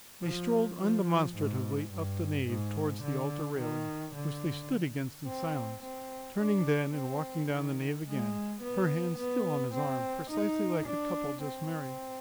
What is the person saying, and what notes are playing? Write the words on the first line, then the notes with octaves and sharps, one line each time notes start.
They strolled undemonstratively up the nave towards the altar railing, which they stood against in silence, turning then and walking down the nave again, her hand still on his arm, precisely like a couple just married.
F3
F3
G#2
G2
G#2
D3
D#3
D3
C4
C4
D4
C4
D#3
G#3
B3
B3
C4
D#4
D4
C4